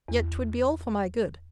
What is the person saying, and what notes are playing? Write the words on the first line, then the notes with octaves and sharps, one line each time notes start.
Yet 'twould be all for my good.
E2